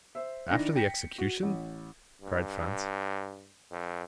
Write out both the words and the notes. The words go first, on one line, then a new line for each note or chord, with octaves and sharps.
"After the execution?" cried Franz.
C5 E5
D#3 D4 E4 A#6
G5 A#6 B6 C#7
F#4
A1
G2
F2